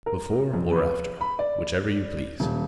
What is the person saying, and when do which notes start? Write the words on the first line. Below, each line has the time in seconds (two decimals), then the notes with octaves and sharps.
"Before or after, whichever you please."
0.06 A#4
0.54 F2
0.72 B4
1.21 B5
1.39 D5
2.40 D#1